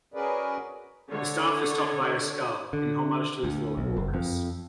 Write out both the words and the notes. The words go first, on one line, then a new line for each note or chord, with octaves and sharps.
The staff is topped by a skull, in homage to his lord, Orcus.
C#4 F#4 G#4 A#4 B4 D5
D3 C#5
D3
D2
B1
F#1
F2